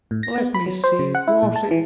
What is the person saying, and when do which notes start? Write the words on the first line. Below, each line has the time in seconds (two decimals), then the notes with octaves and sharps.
Let me see--was it?
0.11 A2
0.23 A#6
0.38 B3
0.54 B5
0.66 F#3
0.84 C5
0.99 C#3
1.15 F#5
1.28 E4
1.43 A#2
1.56 A5
1.71 E3